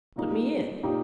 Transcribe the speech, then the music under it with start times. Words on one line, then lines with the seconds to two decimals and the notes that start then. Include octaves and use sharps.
"Put me in."
0.16 A#2 A#3 D#4 G4
0.83 A#2 A#3 D#4 G4